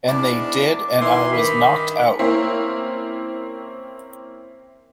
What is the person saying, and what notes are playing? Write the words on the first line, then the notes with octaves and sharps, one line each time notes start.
And they did, and I was knocked out.
E2 G#2 D4 D6
D#3 E3 C6
G2 D#3 B5
A#3 C4 C#4 E4